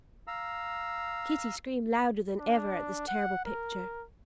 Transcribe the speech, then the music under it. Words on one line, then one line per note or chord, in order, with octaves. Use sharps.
Kitty screamed louder than ever at this terrible picture.
F5 A#5 E6
D4
F#5
A#4